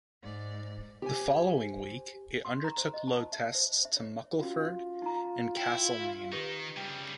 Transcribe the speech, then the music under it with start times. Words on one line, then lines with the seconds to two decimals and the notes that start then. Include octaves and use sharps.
The following week it undertook load tests to Muckleford and Castlemaine.
0.23 G#2 D5
1.02 G4 C5 G#5
2.45 C6
2.64 A#5
2.78 C5
2.94 D#5
3.08 A5
3.33 E5
3.55 C5
3.85 E5
3.97 C#5
4.39 C#4 F4 F#4 F5
5.02 D#4 A#5
5.57 E4 G5
6.32 D#3 D#4 G4 B4
6.77 C#3 G3 G5